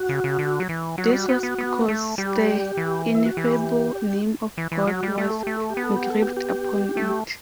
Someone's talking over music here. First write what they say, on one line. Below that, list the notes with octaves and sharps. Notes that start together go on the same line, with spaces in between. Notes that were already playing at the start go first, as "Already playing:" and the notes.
This was because the Ineffable Name of God was engraved upon it.
Already playing: F#4
C#3
C#3
D3
F#3
E3
F#3 F#4
G3
B3
B3
B3
A3
G3 G4
E3
E4
F#4
E3 G4
E3
E3
F#3 F#4
G3
A3 G4
A4
A3 G4
A4
G4
B3
A4
G4
A4
G4
G4
A3